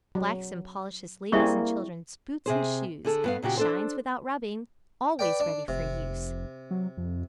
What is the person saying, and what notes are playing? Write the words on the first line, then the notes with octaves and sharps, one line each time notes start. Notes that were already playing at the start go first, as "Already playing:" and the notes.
Blacks and polishes ladies' and children's boots and shoes; SHINES WITHOUT RUBBING; always READY for use.
F#3
G3 A#3 C4 E4 G#4 E5 C#6
C3 G#4 C5
D3 G#4 A4
G2 B3 F5
A#2 C#3 F#4 G4
D4 A4 C5
B4 D5 G5
D4
F1 C3
F#3
F2